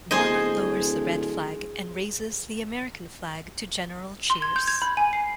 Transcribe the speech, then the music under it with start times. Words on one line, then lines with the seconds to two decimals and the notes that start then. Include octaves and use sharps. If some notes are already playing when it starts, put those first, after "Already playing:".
Norman lowers the Red flag and raises the American flag to general cheers.
0.11 D1 G#4 C5 D#5
4.30 C6
4.42 G#6
4.56 G6
4.68 G#6
4.82 B5
4.97 G#5
5.13 C7